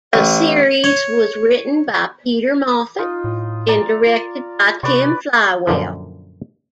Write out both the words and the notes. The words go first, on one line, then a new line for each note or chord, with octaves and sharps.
The series was written by Peter Moffat and directed by Tim Fywell.
A1
C#5
D#4 F4 D#5
A2
D5 A#5
F4
C3 B4 D5 C#6
F#2 A#2 D3 F3